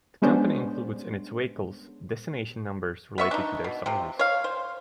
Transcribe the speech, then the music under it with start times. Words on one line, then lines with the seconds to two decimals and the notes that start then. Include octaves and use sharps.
The company includes in its vehicles' designations numbers related to their sizes.
0.22 G3 G#3 B3 C#4 D4 C5
3.18 B3 E5 C#6
3.31 D4 D#4
3.64 B2
3.86 C3 F3
4.19 C#5 F5
4.44 C5